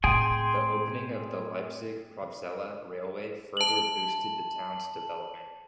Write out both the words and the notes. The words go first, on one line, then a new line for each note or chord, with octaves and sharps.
The opening of the Leipzig-Probstzella railway further boosted the town's development.
A2 C3 G#4 G5 G#5 C6
A5 F#7